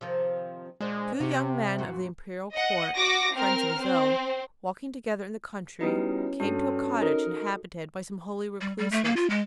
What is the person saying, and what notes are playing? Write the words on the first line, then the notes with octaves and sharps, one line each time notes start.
Two young men of the Imperial Court, friends of his own, walking together in the country, came to a cottage inhabited by some holy recluses.
C3 D#3 F3
A#2 G#3 D4 C5
C3 F#4 G4
F#2 A#2 F#4
D#5 F#5
F#4 D6 A#6
C4 A#4 F6
C4 C5
G3 B3 C#4 D#4 E4 F#4 B4
G2 F#4 A4
D#4 A#4
G3
G3
A3
A#3
F4
G#3